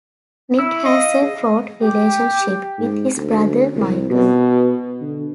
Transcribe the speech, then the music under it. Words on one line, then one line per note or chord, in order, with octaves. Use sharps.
Nick has a fraught relationship with his brother, Michael.
E4 E6
D#5 F5
G#4
G4
G#2
D2
C2
B2
D3